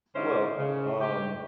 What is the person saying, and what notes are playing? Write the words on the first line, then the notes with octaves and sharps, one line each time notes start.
Well, um,
G#2 D3 C#4 D#4 E4 C5
C#3
G4